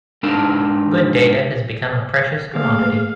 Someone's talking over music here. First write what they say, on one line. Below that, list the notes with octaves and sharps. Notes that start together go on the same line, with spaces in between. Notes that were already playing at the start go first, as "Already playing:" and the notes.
Good data has become a precious commodity.
G#2 D4 D#4 A#4 F5 A5
A3 A#3 G#4 F5